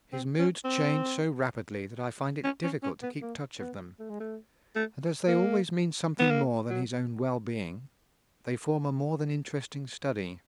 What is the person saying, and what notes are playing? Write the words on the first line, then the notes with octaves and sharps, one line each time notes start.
His moods change so rapidly that I find it difficult to keep touch of them, and as they always mean something more than his own well-being, they form a more than interesting study.
C4
C#4
C4
C#4
C#4
C#4
B3
A#3
B3
A3
G#3
A3
A3
A#3
B3
A#3
F#3